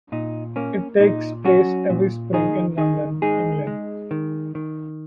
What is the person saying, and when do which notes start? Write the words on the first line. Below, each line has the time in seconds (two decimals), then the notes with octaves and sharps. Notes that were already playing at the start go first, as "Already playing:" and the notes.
It takes place every spring in London, England.
0.12 A#2 D#4
0.56 A#3 C#4
1.00 A#2 D#4
1.45 F#3 C#4 F#4
1.90 A#2
2.33 D#3 D#4 G#4
2.78 D#3 D#4 G#4
3.22 G#3 D#4 G#4
3.67 G#3
4.11 D#3
4.55 D#3